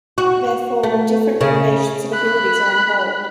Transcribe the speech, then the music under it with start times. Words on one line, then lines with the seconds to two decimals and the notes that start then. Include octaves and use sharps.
Therefore, different motivations and abilities are involved.
0.18 F#4
0.83 A3
1.41 C#3
2.13 B5 F#6